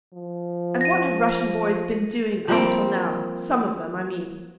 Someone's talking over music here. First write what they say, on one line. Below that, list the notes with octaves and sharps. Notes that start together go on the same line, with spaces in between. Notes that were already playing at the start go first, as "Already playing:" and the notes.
And what have Russian boys been doing up till now, some of them, I mean?
F3
A#6 D#7
F3 G3 A#3 C4